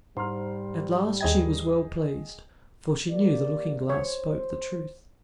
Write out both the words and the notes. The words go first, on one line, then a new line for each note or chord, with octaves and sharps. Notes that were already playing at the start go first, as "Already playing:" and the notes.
At last she was well pleased, for she knew the Looking-glass spoke the truth.
G#2 G3 C6 F6
D#2 G#4 D#5 G5 G#6
A#3 G4 D5
C5 C#5